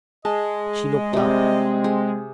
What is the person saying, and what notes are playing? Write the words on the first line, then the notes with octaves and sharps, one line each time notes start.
She looked up.
G#3 D#5 A5
C3 G3 C4
G#4